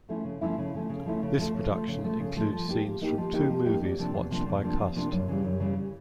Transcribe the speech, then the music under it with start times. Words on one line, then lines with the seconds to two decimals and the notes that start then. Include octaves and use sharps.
This production includes scenes from two movies watched by Cust.
0.09 F3 A3 C#4 E4
0.25 C#3
0.41 F3 A3 C#4 E4
0.58 C#3
0.74 F3 A3 C#4 E4
0.89 C#3
1.06 F3 A3 C#4 E4
1.23 C#3
1.38 F3 A3
1.54 C#3
1.71 F3 A3
1.88 C#3
2.04 F3 A3
2.20 C#3
2.36 F3 A3
2.53 F3
2.68 A#3 D#4 G4
2.85 F3
3.01 A#3 D#4 G4
3.18 F3
3.33 A#3 D#4 G4
3.49 F3
3.66 A#3 D#4 G4
3.82 E2
3.99 C3 F3 A#3 D4
4.14 E2
4.30 C3 F3 A#3 D4
4.46 E2
4.63 C3 F3 A#3 D4
4.79 E2
4.96 C3 F3 A#3 D4
5.12 F#2
5.28 C#3 E3 G3
5.44 F#2
5.60 C#3 E3 G3